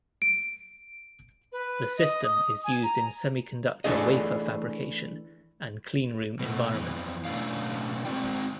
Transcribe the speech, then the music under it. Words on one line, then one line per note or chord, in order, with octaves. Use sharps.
The system is used in semiconductor wafer fabrication and cleanroom environments.
D7
B4
D#5
D#6
G#5
A#5
E3 A3 D4 G#4 D#5
B2 A3
F2 E3
B2 A3 C#4 D4 E4 F5
G#3 C4 F#4 D5 G5